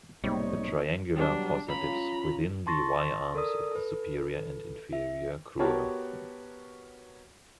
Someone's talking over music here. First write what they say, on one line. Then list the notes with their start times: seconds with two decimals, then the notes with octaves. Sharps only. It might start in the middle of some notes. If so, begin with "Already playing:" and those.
The triangular fossa dips within the Y-arms of the superior and inferior crura.
0.24 B1 G#2 C3 G3 A#3 D#4 C#5
1.15 B2 F#3 G3 D4
1.68 C#4 F4 A#5 B5
2.67 A5 C6 C#6 A6 A#6
3.35 A4 A#4 D5 D#6
3.71 A4 B4
4.93 E5
5.59 B3 F#4 G4 A#4 C#5 A5